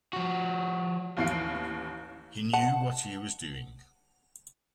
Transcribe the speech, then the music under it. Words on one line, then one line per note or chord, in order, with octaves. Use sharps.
He knew what he was doing.
F3 F#4
A1 D#2 E3 F5 C7 D7
F#5 A5